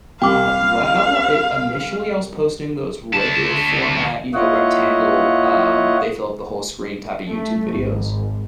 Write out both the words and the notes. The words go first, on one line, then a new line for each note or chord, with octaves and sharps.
Uh, well, i initially I was posting those regular format, you know, rectangle, um, they fill up the whole screen type of YouTube videos.
C2 F5 G5 D6
D2 A5
A#3 E4 F4 C#5 D#5 F#5
A3
G#1